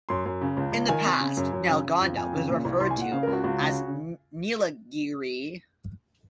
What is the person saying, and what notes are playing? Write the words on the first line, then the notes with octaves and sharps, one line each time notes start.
In the past, Nalgonda was referred to as "Nilagiri".
F#2 C6
F#2
C#3
C#2
C#2
D#3 G#5
C3
C#3
F#2
F#2
C#3
C#3
F2
F2 G#5
C#3
A#2
C2
C2 C6
G#5
A#2
F#5
C#3 F5
A#4
C#2
F#4
C#2 F#4
C#3